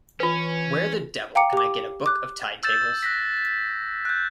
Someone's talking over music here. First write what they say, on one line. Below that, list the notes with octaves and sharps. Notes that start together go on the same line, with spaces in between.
Where the devil can I get a book of tide tables?
E3 C#4 F4 B4
F5 G5 A#5 D6 C#7
G4 D6
D6 F#6
E6 G6 A6 E7
F#6 A#6 B6
F#6 G6